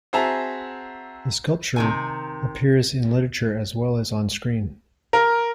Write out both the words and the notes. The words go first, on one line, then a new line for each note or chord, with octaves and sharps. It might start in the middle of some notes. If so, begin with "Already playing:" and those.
The sculpture appears in literature as well as onscreen.
C4 F#4 G#4 E5 A5 A#5
C3 D#3 G#5
A#4